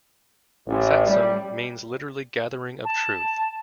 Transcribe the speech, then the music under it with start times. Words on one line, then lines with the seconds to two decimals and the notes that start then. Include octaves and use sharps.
Satsang means literally gathering of Truth.
0.67 A1
1.06 G3
2.85 A5